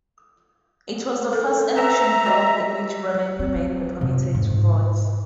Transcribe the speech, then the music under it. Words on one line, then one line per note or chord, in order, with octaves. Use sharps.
It was the first election held in which Bremen women were permitted to vote.
A4 A#4
B4 E5 G#5 A#5
F#4 C#5 D#5
C4
C3
G#2